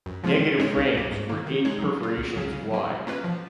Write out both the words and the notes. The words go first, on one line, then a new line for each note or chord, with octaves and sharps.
Negative frames were eight perforations wide.
F#2
F3 G#3 C#4 F4
D#3
G#3 D#4 A#4 C#5
C#2
B2 A#3
G#2
D#3 A#3
D#3
G#3 D#4 G#4 C#5
F#3
A#3 F4
C#2
C#3 F#3 C#4 G#4
C#3
F#3 A#3
B2
A#3 C#4 F4 B4
F3